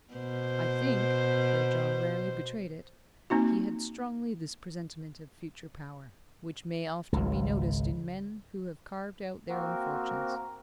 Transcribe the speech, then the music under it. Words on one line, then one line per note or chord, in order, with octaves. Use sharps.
I think--though John rarely betrayed it--he had strongly this presentiment of future power, which may often be noticed in men who have carved out their own fortunes.
B2 C5
A#3 C4 D#4 F#4
G#1 C#2
A#3 C4 F#4 A#4